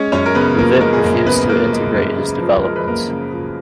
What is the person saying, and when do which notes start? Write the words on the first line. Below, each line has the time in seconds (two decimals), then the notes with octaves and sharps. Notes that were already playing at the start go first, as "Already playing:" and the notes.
Levitt refused to integrate his developments.
Already playing: G#3 C#4 C#5
0.12 F#2 C#4 C#5
0.26 A#4
0.35 C#3 B3 B4
0.58 F3 A#3 A#4
0.81 G#3 A#3 A#4
0.93 G#4
1.04 F#2 A#3 A#4
1.26 C#3 B3 B4
1.49 F3 A#3 A#4
1.72 G#3
1.94 F#2
2.18 C#3
2.40 F3
2.63 G#3 A#4
2.76 B4
2.86 F#2 A#3 A#4
3.09 C#3
3.31 F3